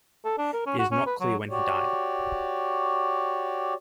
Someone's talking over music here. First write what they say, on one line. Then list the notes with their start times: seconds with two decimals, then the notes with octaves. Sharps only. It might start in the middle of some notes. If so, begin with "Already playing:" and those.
It is not clear when he died.
0.25 A4
0.38 D4
0.53 A#4
0.66 C#4
0.79 F#4
0.92 C#4
1.06 B4
1.20 F#3
1.50 F#4 G4 C#5 D5